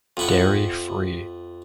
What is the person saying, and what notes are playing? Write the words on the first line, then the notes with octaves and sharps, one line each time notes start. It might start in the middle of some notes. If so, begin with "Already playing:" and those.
Dairy free.
F2 E4 F#5